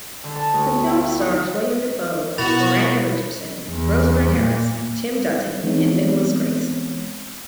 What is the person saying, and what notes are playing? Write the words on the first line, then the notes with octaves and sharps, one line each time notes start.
The film stars Willem Dafoe, Miranda Richardson, Rosemary Harris, Tim Dutton and Nickolas Grace.
D3
A5
D2
B3
G5
E4
D#4
B2 B3 E4 F#4 A#4 B5 A6 F7
E2
A#2
E3 G#3 B3 C4 D#4 C#5